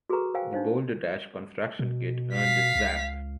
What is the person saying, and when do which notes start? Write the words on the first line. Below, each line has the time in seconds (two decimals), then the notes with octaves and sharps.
The Boulder Dash Construction Kit earned a Zzap!
0.10 F#4 G#4 A4 B4 A#5 C#6
0.34 A#4 C5 F5 G5 G#5
0.53 D4 D#4 C5 F5
1.79 B2
2.34 F5 B6
2.75 C#2